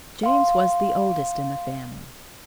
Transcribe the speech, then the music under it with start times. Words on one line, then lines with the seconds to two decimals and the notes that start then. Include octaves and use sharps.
James was the oldest in the family.
0.23 F5 C6